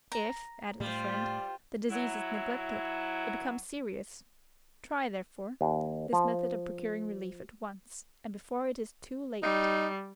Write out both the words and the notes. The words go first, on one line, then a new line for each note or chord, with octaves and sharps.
"If," added the friend, "the disease is neglected it becomes serious; try therefore, this method of procuring relief at once, and before it is too late."
A#5
A2 G3 A3 F4 C5
F#3 E4
D#2
F3
G3 D#4